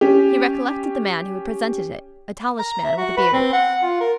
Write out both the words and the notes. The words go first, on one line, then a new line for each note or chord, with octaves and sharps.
He recollected the man who had presented it, a tallish man with a beard.
C#4 G4
A#5
E5
F#4
B4
C4
F#5
F4
A#4